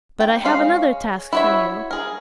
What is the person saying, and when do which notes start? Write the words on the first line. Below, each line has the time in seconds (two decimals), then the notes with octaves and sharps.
But I have another task for you.
0.20 G5
0.45 G#3 C#4 F5
1.33 E4 F#4 G#4 C#5 E5
1.91 G#4 A#4